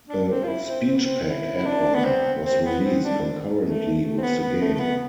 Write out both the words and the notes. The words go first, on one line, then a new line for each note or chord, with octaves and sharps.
A "Speech Pack" add-on was released concurrently with the game.
D4
C4
F4
E4
C4
C4
B3
C4
E4
E4
D4
B3
C4
C4
B3
C4
D4
A3
A3
C4
B3
B3
A3
A3
B3